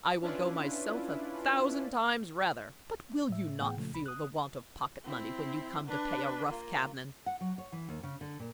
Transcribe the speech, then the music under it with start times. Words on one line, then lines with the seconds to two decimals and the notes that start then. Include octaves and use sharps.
I will go myself a thousand times rather!--But will you not feel the want of pocket-money when you come to pay a rough cabman?
0.21 C#4 D4 E4 F4 B4
3.29 A2 E5
3.60 A2 E3 B3 G#4 F#5 G5
3.76 A#2 C#3 F3 A3
3.94 C2 B5
4.06 D#6 F#6
5.04 C4 E4
5.87 D4 B4
6.48 A#3 F4
7.26 F#5
7.41 F#3
7.58 C#5
7.72 E3
7.89 D#2
8.03 C#3
8.21 D3
8.39 A#2